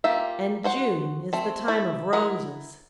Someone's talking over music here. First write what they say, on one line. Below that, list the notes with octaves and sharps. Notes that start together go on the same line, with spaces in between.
And June is the time of Roses.
A#3 F4 G4 E5
F#4 C5 F#5
A3 C4
E4
E4 A#4 F#5